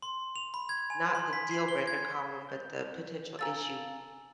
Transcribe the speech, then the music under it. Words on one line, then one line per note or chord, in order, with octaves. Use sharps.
not the deal breaker column, but the potential issue
C6
F7
B5
G#6
G#5
C6
B6
C7
G7
G#6
G6
A4 F5 G#5 A#5 E6 A6